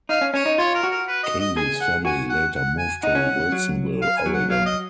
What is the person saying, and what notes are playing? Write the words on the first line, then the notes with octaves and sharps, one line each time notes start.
Cady's family later moved to Wilsonville, Oregon.
D#4 F5
C#4
C#4 C#5
D#4
F4 C#5
A#4
F#4
A#4
B4
D#5
D#5
G#4 G#5
F#5
F#4 G#5
F#5
F#5
G#5
D#4 F#5
C#4
F#3
F5
G#5
F#3
F#5
F#3 F5
D#5